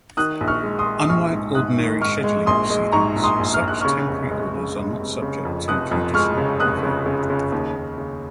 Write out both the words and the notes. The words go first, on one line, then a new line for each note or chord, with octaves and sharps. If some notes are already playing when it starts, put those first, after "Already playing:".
Unlike ordinary scheduling proceedings, such temporary orders are not subject to judicial review.
D#3 D#6 F#6
A#1
C#6 F6
G#3
C6 D#6
G#3
D#6
A#1 C#6 F6
G#2
G#2 D#6 F#6
D#3
G#2 C#6 F6
G#3
A#1 C6 D#6
G#3
G#2 A#5 C#6
A#1
C6 D#6
A#1
F6
A#1
F#6
C#3 C#6 F6
F1
G#3
C#3
G#3
F1
C#3
F2
F1 D#6 F#6
F2
G#3 C#6 F6
C#3
F1 D#6 F#6
C#3
C#3
C#3
D#2
D#2
C#3